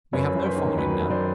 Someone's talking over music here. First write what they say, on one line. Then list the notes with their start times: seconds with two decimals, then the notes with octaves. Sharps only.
We have no following--now.
0.13 F#2 B4 C#5
0.35 F#2 C5
0.45 B4 C#5
0.56 D#3
0.78 F#3 B4 C#5
1.00 F#2
1.10 C5 D5